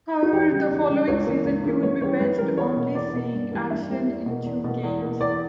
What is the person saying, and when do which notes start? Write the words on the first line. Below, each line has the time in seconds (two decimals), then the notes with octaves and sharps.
However, the following season he would be benched, only seeing action in two games.
0.23 F#4
0.33 E2 G4
0.51 C#3 G3
0.71 E2
0.88 C#3 G3
1.08 C#2 C#5
1.26 C#3 E3 A#3
1.45 C#2
1.64 C#3 E3 A#3
1.83 F#2 C#5
2.01 C#3 E3 G3 C#5
2.20 F#2 B4
2.38 C#3 E3 G3 A#4
2.57 E2 C#5
2.76 B2 A#3
2.95 E2 D5
3.13 B2 A#3
3.33 G2
3.52 E3 G3 A#3
3.70 G2 E5
3.90 E3 G3 A#3
4.08 E2
4.26 B2 A#3
4.45 E2
4.64 B2 A#3
4.83 E2
5.02 B2 A#3
5.21 E2 D5